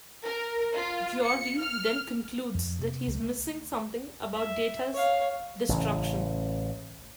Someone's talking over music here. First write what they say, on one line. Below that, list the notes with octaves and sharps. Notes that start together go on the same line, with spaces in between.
Geordi then concludes that he's missing something about Data's destruction.
A#4
F4
C#7
F6
F2
C3
C#2
A3
E5
C#5 F5
A1 C#3 E3